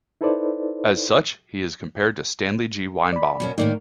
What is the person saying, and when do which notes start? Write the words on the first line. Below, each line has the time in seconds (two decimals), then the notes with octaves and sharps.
As such, he is compared to Stanley G. Weinbaum.
0.21 D#4 E4 A4 B4 C5 D5
3.13 D5 B5
3.40 B2 A#3 C#4
3.58 A2 D#3 A#3 D#4 D5